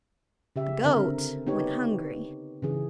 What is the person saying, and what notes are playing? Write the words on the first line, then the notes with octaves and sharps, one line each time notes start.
The goat went hungry.
C#3 G4 E5
D3 C4 A#4
B3 D#4 G4 C#5
C#3 E3 G#4